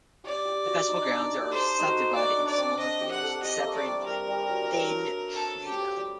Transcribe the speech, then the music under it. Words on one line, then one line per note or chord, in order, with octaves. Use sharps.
The festival grounds are subdivided into smaller fields separated by a thin treeline.
G4 D5
G4
F#4
D#4
D4
D#4
G4
A4 C5
D#4 F#4
F#4 D5
D4
D5
C4
D4 D#5
G4
F#5
A4
G4 D#5
A3 A#3
D5
G3
G3 A#4
G3
F#3
G3
F#3
A4
G4
G3